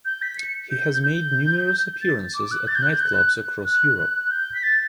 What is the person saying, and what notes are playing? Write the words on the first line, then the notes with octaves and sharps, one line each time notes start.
He has made numerous appearances at nightclubs across Europe.
G6
B6
C#7
G6
G6
A6
D6
F#6
A6
G6
F#6
G6
F#6
F#6
F#6
G6
B6
A6